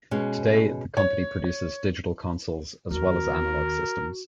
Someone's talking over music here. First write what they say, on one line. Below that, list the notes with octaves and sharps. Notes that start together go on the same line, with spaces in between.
Today, the company produces digital consoles as well as analogue systems.
B2 G#3 C#4
C#5
D#2 C4 F#4 A#4